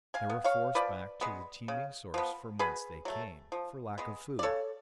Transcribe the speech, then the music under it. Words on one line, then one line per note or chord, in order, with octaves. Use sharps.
They were forced back to the teeming source from whence they came, for lack of food.
F5 G#5
B3
C#5 F5
F3 B4 D5
G#3 B3
C#3
F3 B3
B2 G#4 B4
F#3 A3
F3
G#3 B3
D5
C#3 A4 C#5